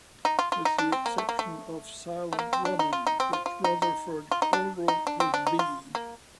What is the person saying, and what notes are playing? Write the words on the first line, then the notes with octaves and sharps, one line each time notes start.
With the exception of "Silent Running", which Rutherford co-wrote with B.
D#4
F4
F4
D#4
D4
C4
A#3
A3
A#3
A3
A3
A#3
C4
D4
D#4
F4
D#4
C4
F4
F4
D#4
D#4
F4
D#4
D4
D#4
D4
C4
D4
D#4
F4
A#3